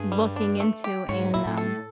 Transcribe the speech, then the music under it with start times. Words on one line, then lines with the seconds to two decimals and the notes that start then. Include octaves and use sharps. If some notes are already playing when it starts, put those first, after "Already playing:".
looking into and, um
Already playing: G2 G#4
0.12 G3
0.36 D4
0.60 A3
0.84 G4
1.09 G#2 C#5
1.34 A#2 E4
1.46 A2
1.58 A4